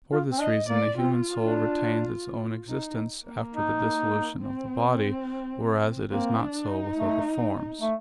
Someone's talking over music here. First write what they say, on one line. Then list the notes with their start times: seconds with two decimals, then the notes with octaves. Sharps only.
For this reason the human soul retains its own existence after the dissolution of the body; whereas it is not so with other forms.
0.12 F4
0.32 C4
0.40 D4 D#5
0.69 A#3 D5
0.97 C4 F4
1.41 D4
2.68 D#4
3.25 A#3
3.54 D#4
4.40 C4
6.11 A#3 C4
6.39 D4
6.68 D#4
6.96 A3
7.81 A3